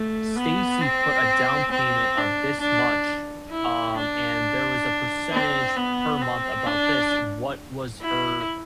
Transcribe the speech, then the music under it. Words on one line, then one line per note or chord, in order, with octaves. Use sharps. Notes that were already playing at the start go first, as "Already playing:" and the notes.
"Stacy put a down payment of this much, um, and there was a percentage per month about this, what was her
Already playing: A3
B3
C4
C4
D4
D4
E4
D4
C4
B3
C4
D4
E4